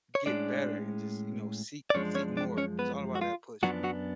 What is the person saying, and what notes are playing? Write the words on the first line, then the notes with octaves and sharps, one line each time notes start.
get better, and just, you know, seek seek more. It's all about that push.
C#5
A2 G#3 C#4 D4 D5
D5
F#2 F3 G#3 C#4 D4 C#5
C#4 C#5
D4 D5
C#4 C#5
B3 B4
F#4
F4
F#2 F3 F#3 B3 D4 F#4
F#3 F#4